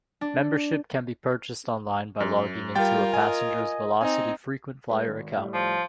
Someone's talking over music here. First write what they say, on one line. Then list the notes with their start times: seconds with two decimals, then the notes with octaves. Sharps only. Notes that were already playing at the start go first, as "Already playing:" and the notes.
Membership can be purchased online by logging into a passenger's velocity frequent flyer account.
0.21 D4
2.20 F#2
2.75 G3 F4 A#4 F5 G5 A6
3.14 D#5 G#5
4.01 C4 D#4 C5 D#5 G#5
4.90 G#3 B4
5.08 G#1
5.36 A2 G3
5.54 F3